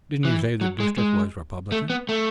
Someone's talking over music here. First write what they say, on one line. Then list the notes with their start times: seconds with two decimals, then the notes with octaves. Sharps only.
"Didn't you say the district was Republican?"
0.25 E3
0.61 F#3
0.80 G#3
0.98 G#3
1.72 A3
1.90 B3
2.09 A3